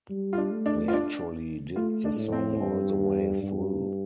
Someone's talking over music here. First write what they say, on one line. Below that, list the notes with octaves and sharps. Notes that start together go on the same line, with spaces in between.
We actually did the song all the way through.
G3
F4
D4
A3
D4
F4
D4
A3 F4
D4
A2
C4
G2
G2